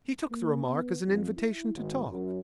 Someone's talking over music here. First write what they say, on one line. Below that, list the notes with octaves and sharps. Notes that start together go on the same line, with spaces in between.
He took the remark as an invitation to talk.
A#3
B3
F2
E4
G#1
F#2